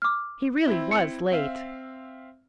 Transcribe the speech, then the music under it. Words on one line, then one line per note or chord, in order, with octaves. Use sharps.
He really was late.
D6 F6
C4 E4
C#7
C4 E5 F5